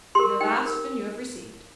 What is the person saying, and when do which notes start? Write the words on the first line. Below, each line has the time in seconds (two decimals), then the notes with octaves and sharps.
You have asked, and you have received.
0.15 G4 A#4 C6
0.41 D#4 G5
0.66 A#4